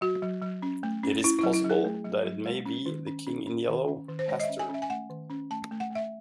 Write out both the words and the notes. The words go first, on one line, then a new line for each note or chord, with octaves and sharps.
It's possible that it may be the King in Yellow, Hastur.
F#3 F#4
F#3
F#3
C#4
A3
C#4
C#4 E4
F#3 E4
E4
F#3
G#4
A3
F#3
F#3
G#3
C#4
D#3
C#4
C#4
C#4
D#3
C#4
D#3
C5
G#3 C#5
D#5
E5
C#4
G#5
C#4 E5
G#5
A3 F#5
D#3
C#4
A3 A5
A3
F#5
A3 E5